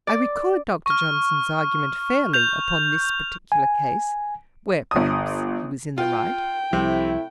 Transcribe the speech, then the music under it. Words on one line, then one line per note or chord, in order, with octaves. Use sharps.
I record Dr. Johnson's argument fairly upon this particular case; where, perhaps, he was in the right.
D5
C#6 F6
G6 F7
G#5
G1 D#6
F4 G5
C2 C3 F3 G3 A3 C4 E4